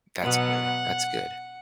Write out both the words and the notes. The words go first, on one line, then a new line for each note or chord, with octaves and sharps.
That's good. That's good.
B2 F#3 B3 F#5